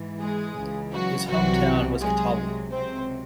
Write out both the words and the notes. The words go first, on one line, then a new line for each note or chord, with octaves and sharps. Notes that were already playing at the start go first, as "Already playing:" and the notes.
His home town was Kitale.
Already playing: G#2 E3
G#3 G#4
C#2 C#3 E3
F#3 F#4
C2 C3 E3 F#3 F#4
C2 C3 F#3 G#3 G#4
C#2 C3 F#3 C4 C5